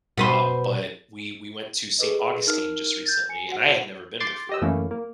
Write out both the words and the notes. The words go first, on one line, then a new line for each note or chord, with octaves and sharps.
um, but we we went to Saint Augustine just recently, and I had never been before,
B2 B4 C5
G#4 A4 B4 D#5
D#4 A#4 F6
G6 A6
G#5 C#7
F#4 F#5
C6 D6 G6 A6 C7
G4 D#5 E6
F#2 E3 A3 A#3 C#4
A#3